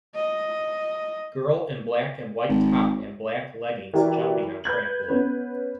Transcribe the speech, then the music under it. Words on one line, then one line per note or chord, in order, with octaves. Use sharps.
Girl in black and white top and black leggings jumping on trampoline.
D#5
G#1
E3 F#4 G4 A#4 D5
B4 G6 G#6 F#7
B3 C#4 B4